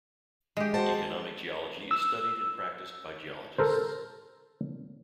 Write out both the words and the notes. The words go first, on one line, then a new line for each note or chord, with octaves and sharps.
Economic geology is studied and practiced by geologists.
G#3 G4
F#4 C5 A5
E6
A4 A#4 C5